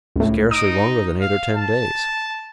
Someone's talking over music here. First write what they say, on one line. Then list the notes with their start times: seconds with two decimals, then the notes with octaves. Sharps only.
"Scarcely longer than eight or ten days."
0.16 C#2 A2
0.51 D#4 D#6 D7 D#7
1.21 F5
1.56 A5